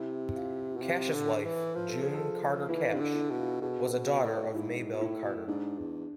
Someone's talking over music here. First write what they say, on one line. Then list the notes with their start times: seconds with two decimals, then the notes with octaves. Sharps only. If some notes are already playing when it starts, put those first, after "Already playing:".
Cash's wife, June Carter Cash, was a daughter of Maybelle Carter.
Already playing: C3 E4
0.36 F4
0.71 E4
0.77 B2
0.82 C3 F4
1.14 D3
1.36 D3
1.44 E3
1.75 F3 B4
1.88 A4
2.02 G#4
2.14 A4
2.69 E3 E4
2.92 C3 D4
3.00 D3
3.14 E4
3.30 B2
3.39 F4
3.61 B2 G#4
3.93 B2
4.23 A2
4.54 G#2 E4
4.93 B2
5.00 A2 E4
5.23 B2
5.35 A2
5.47 G#2 D4
5.78 E2